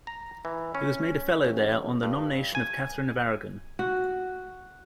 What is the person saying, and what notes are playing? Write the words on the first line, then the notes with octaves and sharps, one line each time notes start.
He was made a fellow there on the nomination of Catherine of Aragon.
A#5
E3
C#4
A1
G2
G#5
F#4